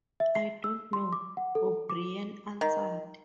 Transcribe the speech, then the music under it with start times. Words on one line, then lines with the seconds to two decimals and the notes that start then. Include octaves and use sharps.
"I don't know" O'Brien answered.
0.20 E5
0.35 C7
0.64 E6
0.93 C6
1.13 D6
1.37 F#5
1.55 A4
1.90 D6
2.61 D#3